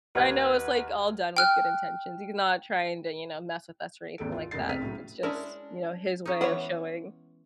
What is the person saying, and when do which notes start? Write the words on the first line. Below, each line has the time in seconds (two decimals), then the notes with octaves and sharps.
but I know it's, like, all done with good intentions. He's not trying to, you know, mess with us or anything like that. It's just, you know, his way of showing
0.15 D#2 B4 F#5 F6 G#6
1.37 G5 F6 F#6
4.18 G#1 D#2 A4 D7
4.32 F4
4.51 F1 C#3 A#3 A6 C7
4.68 E1 C2 C4 F6 B6 D#7
4.81 A2 C#3 F#3
5.23 G#3 C#4 D4 E4 A#4
6.25 C#4 D#4
6.41 E3 B3 F4 C#5 F#5